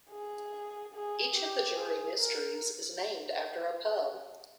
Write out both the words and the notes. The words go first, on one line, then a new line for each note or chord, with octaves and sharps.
Each of the Jury mysteries is named after a pub.
G#4
G#4
G4
G#4
A#4